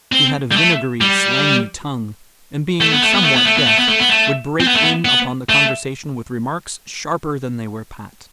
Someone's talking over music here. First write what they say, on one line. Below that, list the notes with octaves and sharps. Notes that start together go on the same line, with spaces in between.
She had a vinegary, slangy tongue, and being somewhat deaf, would break in upon the conversation with remarks sharper than they were pat.
C4
G3
A3
G3
A3
B3
A3
B3
A3
B3
A3
B3
A3
B3
A3
B3
A3
C4
B3
A3
B3
B3
A3